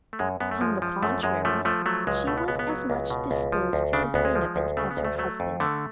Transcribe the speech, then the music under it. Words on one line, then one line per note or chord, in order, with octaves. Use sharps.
On the contrary, she was as much disposed to complain of it as her husband.
A3
F#2 G#3
F#2 B3
A3
F3 G#3
F3
F#2 A3
F#2 G#3
F3 A3
F3 A3
F#3 A3
C#2 G#3
B2 A3
B3
C#2 B3
B3
F#3
C#2
B2
C#2
F3
D2
C#3 D4
D2 B3
G#3
F3
D2
C#3 A3
B3
D2
A3
F#3 A3
F2
D3 A3